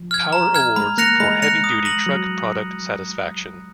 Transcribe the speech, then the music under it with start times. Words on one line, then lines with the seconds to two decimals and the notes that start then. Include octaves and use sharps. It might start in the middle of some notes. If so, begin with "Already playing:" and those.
Power Awards for Heavy Duty Truck Product Satisfaction.
Already playing: F3
0.11 F6 G#6
0.33 A#5
0.55 F6 G#6
0.76 G#3 B5
0.98 A#3 F#6 A#6 C#7 F7
1.20 G#3 B5
1.42 F#6 A#6 C#7 F7
1.64 D#6
1.85 A#6 D#7 F#7
2.06 F#3